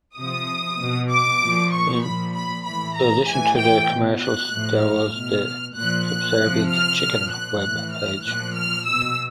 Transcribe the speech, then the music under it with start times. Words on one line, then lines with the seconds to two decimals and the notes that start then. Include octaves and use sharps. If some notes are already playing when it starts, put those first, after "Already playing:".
In addition to the commercials, there was "The Subservient Chicken" web page.
0.16 C3 F3 D#6
0.78 B2
1.10 D6
1.40 A#2 F3
1.72 C#6
2.02 A#2 F3 B5
2.34 B5
2.65 A2 E3 B5
2.96 A#5
3.27 A2 E3 G#5
3.58 G5
3.89 B2
4.20 F#6
4.52 A2 F3
4.82 F6
5.14 B2
5.75 A#2 F3 F#6
6.07 F#6
6.38 C3 F3
6.69 F6
7.00 A#2 F3
7.31 F#6
7.62 A2 E3 F#6
7.93 F6
8.24 A#2 F3 F#6
8.56 F6
8.86 B2 E6